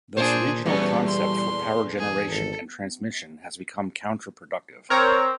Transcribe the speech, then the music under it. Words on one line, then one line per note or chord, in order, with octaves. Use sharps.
Thus regional concept for power generation and transmission has become counter productive.
A#2 D4 G#4 C5
E2 A#2 G3 A3 B3 C#4
C6
G#4
G#1 A4
C4 A#4 C#5 A#5